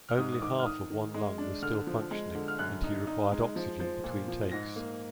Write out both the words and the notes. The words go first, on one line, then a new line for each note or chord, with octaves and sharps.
Only half of one lung was still functioning and he required oxygen between takes.
F6
G#2 D#6
D#6
D#3 D6
F6
D#3 D#6
D#3
G#3
D4
D3 F6
F3
G#3
D3
F6
F#2 F#6
D#4
D#4
G#3
F3
F3
A#2
F3
G#2 A#6
A#3